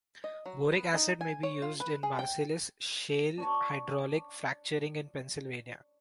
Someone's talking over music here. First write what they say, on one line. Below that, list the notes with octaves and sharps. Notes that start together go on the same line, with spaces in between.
Boric acid may be used in Marcellus Shale hydraulic fracturing in Pennsylvania.
D#5
F#3
B3
D#4
G#5
C#5
F4
B4
G#4
G5
D4 C#5 A5